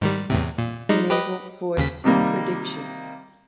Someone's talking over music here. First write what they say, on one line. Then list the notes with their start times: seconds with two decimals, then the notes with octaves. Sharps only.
Enable voice prediction.
0.01 G#2 D#3 G3
0.30 E2 A2 C3
0.58 A#2
0.89 G3 G#3 D#4
1.10 G4 B4 D#5
1.77 D#2 C#3 B6
2.04 C3 D#3 G3 A#3